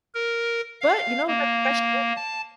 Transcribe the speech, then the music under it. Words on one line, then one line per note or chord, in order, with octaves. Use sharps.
But, you know, that's fresh air.
A#4
F5
A#3
A5